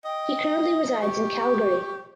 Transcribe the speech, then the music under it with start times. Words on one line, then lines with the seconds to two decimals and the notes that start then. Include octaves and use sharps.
He currently resides in Calgary.
0.05 D#5 G5
1.02 G4 C#6